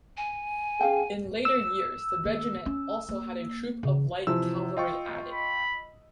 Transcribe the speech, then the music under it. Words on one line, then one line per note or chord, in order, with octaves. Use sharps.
In later years, the Regiment also had a troop of light cavalry added.
G#5
C#4 G#4 F5 G5
E6
D#3 A#3
C#4
A#3
C#3
C3 E3 F3 E6
F4 D#5 G5 C#6
B5